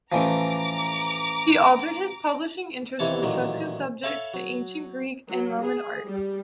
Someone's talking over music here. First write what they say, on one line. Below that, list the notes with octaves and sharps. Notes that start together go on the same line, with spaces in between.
He altered his publishing interests from Etruscan subjects to Ancient Greek and Roman Art.
A1 E3 F3 A#5 D6
D#2 C3 E3 C#5 A5
A1 A#2 D#3 F#3
A4 C#5 E5 F5 B5
F#3
F#3
G#4
G3